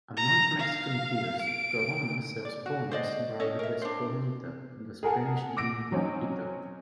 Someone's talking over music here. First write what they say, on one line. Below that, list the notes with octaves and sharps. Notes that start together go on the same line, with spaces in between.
Among Mexican beers, Corona sells ponies, branded as "Coronita", from the Spanish diminutive "-ita".
A#5
F5
D7
D5
F#4
C5 D5 D#5
C#4 A4 C#5 D#5
A#4 E5
D4 C5
G#4 A#4 F#5 A5
F#5
D6 E6 A#6 D7
F#3 C4 C#4 D#4